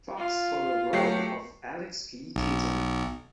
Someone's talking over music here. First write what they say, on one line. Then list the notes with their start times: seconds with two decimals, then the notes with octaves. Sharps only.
Fox for the role of Alex P. Keaton.
0.18 F4
0.93 F#3 A3 G4 C7
2.36 B1